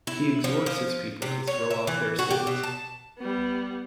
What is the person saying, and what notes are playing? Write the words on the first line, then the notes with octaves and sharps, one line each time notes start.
He exhorts his people to throw off their sins.
E4
F3
F3
C3
C#5
E5
E3
F#4
G4
B2
A5
G3 B3